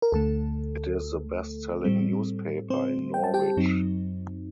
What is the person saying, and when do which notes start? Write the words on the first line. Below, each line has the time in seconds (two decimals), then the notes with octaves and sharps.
It is the best-selling newspaper in Norwich.
0.02 A#4
0.12 D2 D3 A3 A4
1.84 A2 G3 C4
2.70 C4 C5
3.14 G5
3.24 A5
3.34 G4 G5
3.57 F#2 F#3 C4 D#4